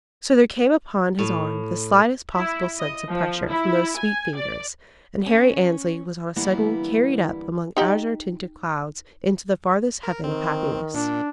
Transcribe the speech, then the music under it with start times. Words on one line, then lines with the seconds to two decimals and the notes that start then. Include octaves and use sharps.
So there came upon his arm the slightest possible sense of pressure from those sweet fingers, and Harry Annesley was on a sudden carried up among azure-tinted clouds into the farthest heaven of happiness.
1.19 A2
2.34 E4
2.78 D#5
3.09 F3
3.48 E4
3.96 G#5
4.35 D5
5.26 C#4
6.36 D3 E3 G3 A#3 B3 E4
7.77 D#4 G4 F#5
10.03 A#4
10.24 D#3 C4
10.94 A#2 D4